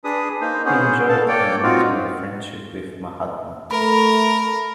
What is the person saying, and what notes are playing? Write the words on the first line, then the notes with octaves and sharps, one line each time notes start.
He enjoyed an intimate friendship with the Mahatma.
D4 G#4 B4 D#6
A#3 D#4 C5
B3 C#4 G#4 C5
A4 F5 A5
A#3 C#5 D5 G5
C4 D#4 F4 F#4
A3 A#4 B5